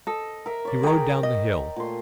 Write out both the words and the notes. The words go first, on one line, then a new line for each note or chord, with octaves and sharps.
He rode down the hill.
A4 D#5
A#4 E5
C#5 D5
G#4 G5 A#5
D#5
A#2 A3 C6